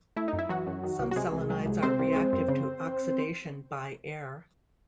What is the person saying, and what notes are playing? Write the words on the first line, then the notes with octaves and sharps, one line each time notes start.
Some selenides are reactive to oxidation by air.
A3 E4
D#4
F#2
E4
E3 F#3 F#4
F#2
D#3
C2
F#4
C3 G#3 G#4
C2
F#3
C2
C3 C4 C5
C2
G#3
F#2
C#3